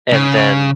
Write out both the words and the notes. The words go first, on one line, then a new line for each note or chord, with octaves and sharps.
And then
C#3